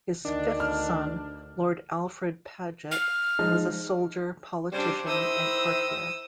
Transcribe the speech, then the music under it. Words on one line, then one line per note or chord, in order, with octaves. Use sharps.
His fifth son, Lord Alfred Paget, was a soldier, politician and courtier.
D2 D#3 D4
F6
F6
F3 G#3 D#4
C#3 G3 D4 C5
D#3 E4 C5 D#6 E6